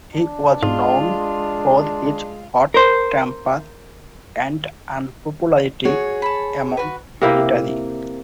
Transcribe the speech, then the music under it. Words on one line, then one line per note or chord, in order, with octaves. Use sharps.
He was known for his hot temper and unpopularity among military.
D4
G#2 G#3 F4
A#4 C5
F#4 G#4 C#5
A5 B5
F#4 B4
C3 A#3 E4